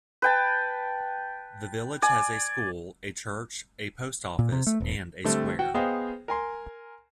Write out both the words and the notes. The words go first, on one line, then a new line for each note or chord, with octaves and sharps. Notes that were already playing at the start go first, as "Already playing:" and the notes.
The village has a school, a church, a post office, and a square.
B4 G5 A5
D5 G#5
A#2
C3
A3
E1
D3 G3 A3 C4
F#4 F#5 G5
B3 G#4 C5 D#5 F5 G5
A#4 G#5 C6